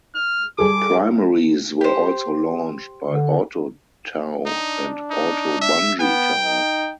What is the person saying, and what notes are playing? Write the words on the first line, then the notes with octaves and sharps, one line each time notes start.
Primaries were also launched by auto-tow and auto-bungee tow.
F6
G3 G#4 A4 D6
G4 C5
D3
D4 D#4
D#4
E5
B3 G5
D#4